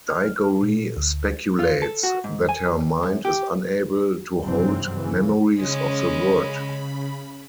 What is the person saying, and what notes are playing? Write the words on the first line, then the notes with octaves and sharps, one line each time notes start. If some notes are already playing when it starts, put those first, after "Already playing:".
Digory speculates that her mind is unable to hold memories of the Wood.
F6
A#2
D2
F4
A4
F#4
G#2
G#5
F#2
G4
F#1 G2 C3 E3 F#3 C4
C#3 E3
C#3 G#3 C#4 B5